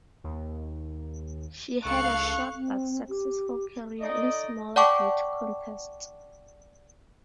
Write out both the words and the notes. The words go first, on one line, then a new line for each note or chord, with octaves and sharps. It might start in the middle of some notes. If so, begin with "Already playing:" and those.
She had a short but successful career in smaller beauty contests.
D#2
C#2 A4 F5 C#6 F#6 C#7
C4
G4
A3 D#4 D5 D#5
D5 F#5 G5 A5 C#6 D6